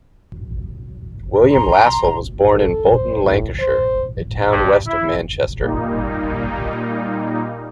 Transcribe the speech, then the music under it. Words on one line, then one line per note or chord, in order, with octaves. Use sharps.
William Lassell was born in Bolton, Lancashire, a town west of Manchester.
A#5 C6
A4
C5
A2
C5
G2
E4
A#2 G3 A#3 D#4